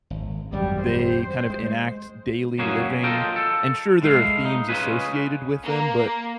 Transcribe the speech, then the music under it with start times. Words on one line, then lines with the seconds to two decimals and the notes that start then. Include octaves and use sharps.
they kind of enact daily living and sure, there are themes associated with them, but
0.10 G#1
0.52 G#1 F#2 F#3 G3
0.82 C5
1.50 G#3
2.59 F#3 A#3 C#4 F#4 G#4
3.03 F4 A4 A#4 D#5 G5
3.36 A4
4.02 A2 G#3 F5
4.45 D#4
4.69 C#4 F4 G#4 B4
5.62 A#3